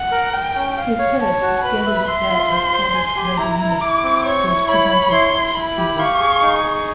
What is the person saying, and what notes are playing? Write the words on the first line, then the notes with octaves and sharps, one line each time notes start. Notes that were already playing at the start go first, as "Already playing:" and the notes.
His head, together with that of Titus Labienus, was presented to Caesar.
Already playing: F#5
A#4
A#4 G5
C#4
F5
C#5
C#5 A5
F#4
B4 B5
E5
E5 C6
F4
C5
C5
G#5
G4
E4 A#5
E4
E4 D6
C4
C#5 C#6
E4
C#5 B5
C#5
E4 C6
E4
E4 B5
G4
F5 C#6
G#4
D#4
G#4